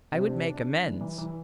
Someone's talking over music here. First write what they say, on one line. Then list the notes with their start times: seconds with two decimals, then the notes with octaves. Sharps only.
I would make amends.
0.13 C3 D4
0.30 D4
0.48 D4
0.65 D4
0.83 E3
1.01 E3
1.18 E3